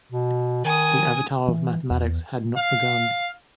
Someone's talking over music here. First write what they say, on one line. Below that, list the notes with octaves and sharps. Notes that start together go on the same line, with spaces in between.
The avatar of mathematics had not begun.
B2
D#3 G#5 D#6
E3
E2
F5